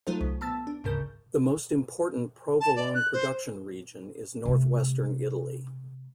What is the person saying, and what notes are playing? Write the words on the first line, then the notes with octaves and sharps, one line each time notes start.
The most important provolone production region is Northwestern Italy.
F#3 A3 D#4 F4 A4 C5
C2
B3 A5 E6 A6
D4
G#1 D2 G#2 C#3 A#4 G6
A5
D5
F#6
C5
C3 A3